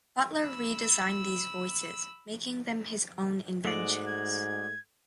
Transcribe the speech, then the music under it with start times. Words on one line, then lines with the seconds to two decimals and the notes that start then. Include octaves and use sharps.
Butler redesigned these voices, making them his own inventions.
0.42 B5 E6
3.65 G#2 G#3 A3 F#4 D5
4.07 G#6